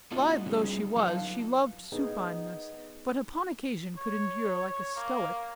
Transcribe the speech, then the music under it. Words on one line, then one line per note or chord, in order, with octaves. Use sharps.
Lithe though she was, she loved supineness, but upon occasion could endure like a stoic.
A3 B3 D4 D#4 F4 F#4
D3 G3 C#4 D#4 G#4
F#3 D#4 F4 A4 B4 F5
B3 D#4 G#4
C#5
A#3